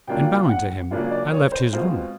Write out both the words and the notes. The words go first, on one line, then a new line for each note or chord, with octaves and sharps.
And bowing to him I left his room.
C#3 F#3 A#3 D4 F4 G5
F#5
C#3 F#3 A#3 D4 F4
D5
C#5
C5
B2 G#3 C4 F4